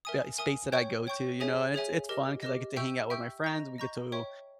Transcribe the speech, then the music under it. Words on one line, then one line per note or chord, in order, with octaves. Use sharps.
b eh, s space that I go to, you know, and it it's fun 'cause I get to hang out with my friends, we get to
A#4 E5 G#5 D#6
A#4 E5 G#5 D#6
C#5 G5 C#6 G6
C#5 G5 C#6 G6
G#4 C#5 E5 G#5
G#4 C#5 E5 G#5
G4 A#4 D#5
G4 A#4 D#5
E5 G5 C#6 E6 G6
E5 G5 C#6 E6 G6
D#5 A#5 C#6 G6
D#5 A#5 C#6 G6
C#5 E5 G5 C#6